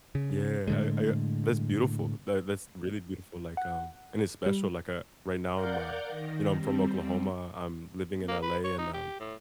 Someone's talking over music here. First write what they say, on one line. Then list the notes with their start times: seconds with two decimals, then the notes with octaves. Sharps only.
Yeah, I I that's beautiful that that's really beautiful, like, um, and it's special, like, uh, right now, I'm a you know, I'm from Oklahoma. I'm living in LA and, um,
0.15 C#3
0.67 A2 D3 G#3
3.57 F#5
4.46 G3
5.53 A#4 D5 F5 F#5 G6
6.07 D#3 A#6
6.54 G3 C4
8.29 A#3
8.43 B4
8.64 C#5
8.78 D#4
8.94 G4
9.20 A2